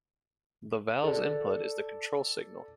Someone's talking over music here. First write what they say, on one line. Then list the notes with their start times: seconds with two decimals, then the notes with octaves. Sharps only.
The valves input is the control signal.
1.04 A4 D5